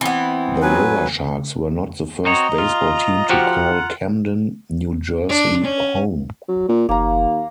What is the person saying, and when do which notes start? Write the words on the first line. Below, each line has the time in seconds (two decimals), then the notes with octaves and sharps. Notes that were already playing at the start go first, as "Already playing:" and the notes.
The Riversharks were not the first baseball team to call Camden, New Jersey home.
0.01 E3 B3 C4
0.62 F#3 B4 G#5
2.25 C4 F#4 C#5 D#5 A#5
2.58 F4
3.29 F3 F#4 G4 F#5
5.29 D4
5.63 C#4
6.48 F#3
6.68 A#2
6.89 F#1 D#2 A#3 A#5